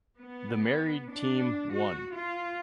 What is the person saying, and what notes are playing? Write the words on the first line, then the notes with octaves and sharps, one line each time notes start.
The Married team won.
B3
D4
F#4
F4